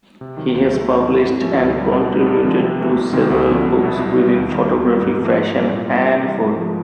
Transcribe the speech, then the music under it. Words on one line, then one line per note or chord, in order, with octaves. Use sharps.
He has published and contributed to several books within photography, fashion, and food.
C3
D#3 F#3
D#2
C#3 F#3 A3
D#2
C#3 E3
G#2
F3 A3 C#4
D2
D3 G3
B2
G3 B3 D#4
G2
D3 F3 G#3
C3
E3 A3
C2
C3 D#3 G#3 C4
D2
D3 F3 G#3 C#4
C2
B2 F#3 B3 E4
C2
B2 G3 B3
D#2
D#3 G3
D#2
D#3 G3 B3 D#4
G#2
F3 A3
G#2
E3 G3 A#3 C#4
A#2
G3 A#3 D4
C3
E3 G3
G#2
F3 G#3